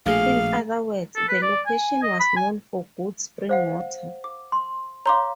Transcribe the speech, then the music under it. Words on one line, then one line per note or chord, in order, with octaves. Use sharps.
In other words, the location was known for good spring water.
A#1 B2 A3 G#4 F5
A4
B4
D5
G#5
D#5
B5
G#5
C5 F5 F#5
D6
C6
C#5 F5 A#5 C6 D6